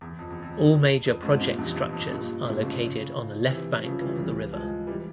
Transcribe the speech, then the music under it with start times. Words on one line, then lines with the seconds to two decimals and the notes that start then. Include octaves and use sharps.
All major project structures are located on the left bank of the river.
0.01 E2
0.19 F2
0.30 E2
0.42 F2
1.05 F2
1.23 F2 G#2
1.41 G2 A#2
1.58 E2 G2
1.67 F2
1.75 E2
1.93 F2
2.10 G2 A#2
2.45 G#2 C3
2.62 C#3 F3
3.49 C3 E3
3.83 C#3 F3
4.01 E3 G3
4.18 E3 G3
4.53 F3 G#3
4.87 E3 G3